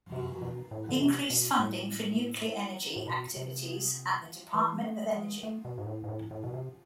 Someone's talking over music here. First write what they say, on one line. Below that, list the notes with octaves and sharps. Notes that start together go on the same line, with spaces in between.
Increase funding for nuclear energy activities at the Department of Energy.
C3
B2
A2
D3
C3
B2
A2
A2
B2
C3
E3
A3
G#3
A3
B2
G#2
A2
G#2
A2
A2
B2
C3